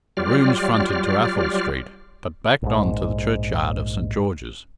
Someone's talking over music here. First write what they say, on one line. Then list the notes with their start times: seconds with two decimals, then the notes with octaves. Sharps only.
The rooms fronted to Athol Street, but backed on to the churchyard of St. George's.
0.17 F#3 G3 F4 G4 D5 F6
2.62 A#1 G#2